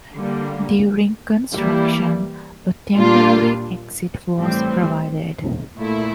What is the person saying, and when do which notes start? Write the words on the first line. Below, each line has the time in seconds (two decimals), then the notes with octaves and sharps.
During construction a temporary exit was provided.
0.15 D3 G3 A#3
1.55 E3 G3 A#3 E4
2.95 A#2 G3 A#3 D4 F4
4.36 A2 E3 G3 C4
5.76 A#2 A3 E4